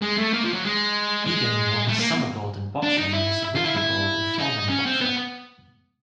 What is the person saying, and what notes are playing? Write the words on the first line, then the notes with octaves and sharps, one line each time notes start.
Eagan won his summer gold in boxing and his winter gold in four-man bobsled.
G#3
A3
A#3
F3
F#3
G#3
G#3
A3
A#3
D4
D#4
E4
F4
E4
E4
D#4
C#4
C4
B3